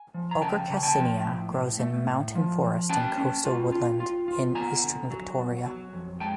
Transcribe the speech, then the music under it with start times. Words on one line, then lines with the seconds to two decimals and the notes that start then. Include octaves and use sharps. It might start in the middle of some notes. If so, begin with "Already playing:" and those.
Ochre cassinia grows in mountain forest and coastal woodland in eastern Victoria.
Already playing: G#5
0.14 F3
0.31 A#5
0.42 C#3 G5 A5
0.70 C#3
0.77 G#5
0.83 G5 A5
0.97 F3
1.25 A2
1.52 A2
1.79 A3
2.08 A2
2.35 F3
2.63 F3
2.89 C#4 G5 A5
3.18 C#4
3.45 F4
3.72 F4
4.00 F4
4.28 F4
4.55 B3 G#5 A#5
4.83 D3
5.10 F#3
5.38 B3
5.66 F#3
5.93 F2
6.20 G#3 G5 A5